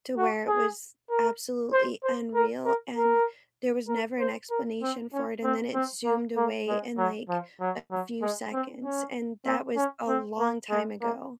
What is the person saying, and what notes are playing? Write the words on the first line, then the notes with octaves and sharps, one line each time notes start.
to where it was absolutely unreal and there was never an explanation for it, and then it zoomed away in, like, a few seconds. And that was a long time ago.
F#4
G#4
A#4
C5
C5
A#4
A#4
A#4
A#4
C5
A#4
C4
C#4
C4
C4
A#3
A#3
G#3
F#3
F3
F#3
F#3
G#3
C4
C#4
C4
C#4
C4
A#3
G#3
A#3